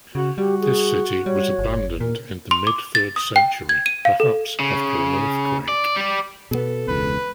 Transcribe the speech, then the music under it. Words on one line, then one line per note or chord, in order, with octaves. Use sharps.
This city was abandoned in the mid-third century, perhaps after an earthquake.
C#3 F#4
G3 F#4 G4
G#4
G3 C#5
G1
A#2 A#4
C6
D6
A6
D#6
G5
G#6
D#7
F5
A4
C#3
D5
G3 D5
B2 B3 A4
E1 C#2 B4